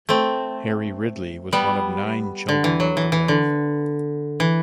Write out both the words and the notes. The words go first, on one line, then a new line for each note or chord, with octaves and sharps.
Harry Ridley was one of nine children of the Rev.
A3 C4
G3 B3
D3
E3
F#3
E3
E3
D3
E3